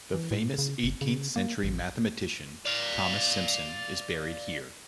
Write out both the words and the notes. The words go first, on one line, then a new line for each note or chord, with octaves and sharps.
The famous eighteenth-century mathematician Thomas Simpson is buried here.
E3
A2
C#3
F#1
C#3
A#3
A1
D5 F5